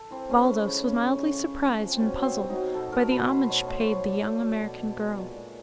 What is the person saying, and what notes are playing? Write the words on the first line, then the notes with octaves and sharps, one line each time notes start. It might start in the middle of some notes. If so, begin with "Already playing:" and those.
Baldos was mildly surprised and puzzled by the homage paid the young American girl.
Already playing: A4
E3 C4
C#3 C#4
G#3
C#3
C#3
C#3
C#3
C#3
G#3
F3
C4
B2 C#4
F#3
C4
F#3
D#4
F#3
B2 A4
A3 A#4
B2 B4
A3 C5
B2 C#5
A3 C5
B2 C#5
A3 D5
F#3
B2
B2
B2
G#3
A#2
G#3